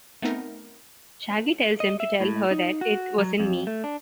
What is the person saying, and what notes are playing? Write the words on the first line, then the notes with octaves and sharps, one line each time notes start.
Shaggy tells him to tell her that It wasn't me.
A3 B3 C4 D#4 A#4
D#5
E5
A2
D#4
F#4
F#3
F2
A3
D4